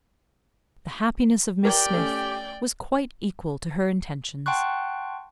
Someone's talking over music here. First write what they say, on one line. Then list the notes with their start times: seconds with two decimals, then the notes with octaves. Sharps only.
The happiness of Miss Smith was quite equal to her intentions.
1.65 G4 A#4 D5 G5
1.94 A3 C#4
4.46 F#5 G5 A5 C6 C#6 F#6